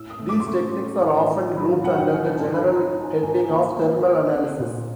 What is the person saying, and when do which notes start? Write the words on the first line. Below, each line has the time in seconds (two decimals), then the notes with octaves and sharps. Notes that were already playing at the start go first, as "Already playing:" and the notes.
These techniques are often grouped under the general heading of thermal analysis.
Already playing: A2 E6
0.10 D#6
0.20 A3
0.29 D6
0.40 C6
0.47 A3 C#6
0.75 C#4
1.02 A2
1.29 A2
1.57 F#3 B5
1.70 F5
1.84 F#3 F#5
1.98 G5
2.12 F3 G#5
2.25 A5
2.40 G#2 C6
2.53 B5
2.66 D#4 A#5
2.86 A5
2.94 D#4
3.03 G#5
3.22 G#2 G#5
3.50 A#3
3.77 A#3
4.04 A#3
4.32 C4
4.59 A#2